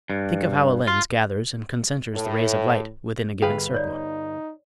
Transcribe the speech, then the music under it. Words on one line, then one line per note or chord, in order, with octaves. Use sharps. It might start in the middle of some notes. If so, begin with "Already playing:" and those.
Think of how a lens gathers and concenters the rays of light within a given circle.
G2
F4
A2
G1 G#4 B4 F5 G5
D#4 C#5 D5